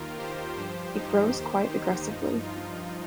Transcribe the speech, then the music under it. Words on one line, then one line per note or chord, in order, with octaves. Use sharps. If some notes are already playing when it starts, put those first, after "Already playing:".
It grows quite aggressively.
Already playing: D#2 D#3 F4 A#4
G4 C5
G2 F3 G4 C5
D#4 G4
D#2 D#3 G4 C5
D#4 G4
G2 F3 D#4
F4